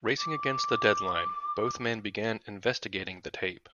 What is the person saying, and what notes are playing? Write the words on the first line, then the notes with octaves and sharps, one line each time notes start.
Racing against the deadline, both men begin investigating the tape.
D6